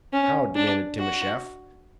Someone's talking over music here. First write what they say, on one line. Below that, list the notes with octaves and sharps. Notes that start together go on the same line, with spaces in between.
"How?" demanded Timascheff.
C#4
D4
F#4